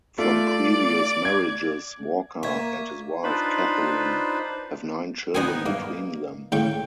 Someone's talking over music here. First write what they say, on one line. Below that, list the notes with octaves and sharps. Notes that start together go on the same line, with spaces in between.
From previous marriages, Walker and his wife, Catherine, have nine children between them.
A3 F4 D5
G#6
A#3 E5 C#6 G#6
D4 D#4 F4 B4 C5 B5
B3 C4 D4 D#4 G#5
G2 A#3
A2 C#3 G5 C#6